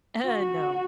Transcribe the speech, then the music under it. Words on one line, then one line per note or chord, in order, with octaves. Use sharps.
Eh, no.
F#4